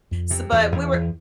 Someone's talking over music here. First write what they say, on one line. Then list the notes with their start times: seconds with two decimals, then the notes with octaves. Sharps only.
s but we were
0.11 F2
0.31 C3
0.52 E2
0.72 E2
0.92 E2